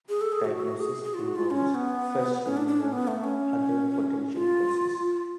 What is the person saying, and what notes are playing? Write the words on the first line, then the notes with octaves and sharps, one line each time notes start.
Diagnosis involves first ruling out other potential causes.
G#4
A4
G#4
F#4
F#4
G#4
G#4
F4
F#4
F4
C#4
B3
C#4
D4
D4
C#4
B3
A3
C#4
F4